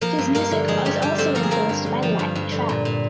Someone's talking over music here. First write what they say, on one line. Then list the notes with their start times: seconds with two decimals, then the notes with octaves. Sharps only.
His music is also influenced by Latin trap.
0.01 F3 A#3 A#4
0.19 G2
0.35 G2 A#3 A#4
0.51 D3
0.68 F3 G#3 G#4
0.85 G2 G3 G4
1.02 G2 G3 G4
1.18 D3 C4 C5
1.35 F3 A#4
1.43 G#4
1.51 G2 A#3 A#4
1.69 G2
1.86 D3
2.03 F3
2.19 G2
2.35 G2
2.52 D3
2.69 A#2
2.85 A#2